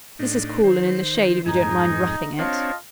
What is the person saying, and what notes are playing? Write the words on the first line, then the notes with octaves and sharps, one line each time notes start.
This is cool and in the shade, if you don't mind roughing it.'
A2 D4 D#4
D#3 C5
F2 G#2 D#4 G#5
C4 D4 F4 C#5 D#5 A5